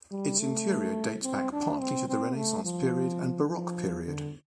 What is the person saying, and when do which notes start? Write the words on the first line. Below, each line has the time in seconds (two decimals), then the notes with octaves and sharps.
Its interior dates back partly to the Renaissance period and baroque period.
0.11 G3
0.39 A3
1.23 C4
1.52 D4
1.80 C4
2.09 C4
2.36 A3
2.64 F3
3.50 F3
4.06 D3